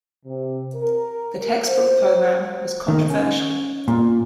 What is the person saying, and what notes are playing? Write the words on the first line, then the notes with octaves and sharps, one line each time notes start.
The textbook program was controversial.
C3
A#4
C5
D#3
C#4
A#2